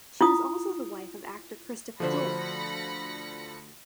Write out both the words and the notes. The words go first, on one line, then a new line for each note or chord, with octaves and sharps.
She was also the wife of actor Christopher George.
E4 F4 D#6
D2 D3 F3 F#4 C5 B5 A#6 C#7